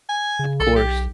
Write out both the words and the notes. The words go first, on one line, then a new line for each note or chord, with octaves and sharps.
Of course.
G#5
C#3
B1 A4
G4